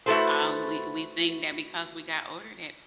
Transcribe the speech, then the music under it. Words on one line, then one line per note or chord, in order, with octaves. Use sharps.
uh, we we think that because we got older that
A3 E4 F#4 A4 B4 C5